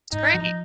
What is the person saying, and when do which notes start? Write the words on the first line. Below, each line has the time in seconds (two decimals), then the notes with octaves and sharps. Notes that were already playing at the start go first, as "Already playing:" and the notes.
It's great.
0.12 G#2 D#4
0.34 F3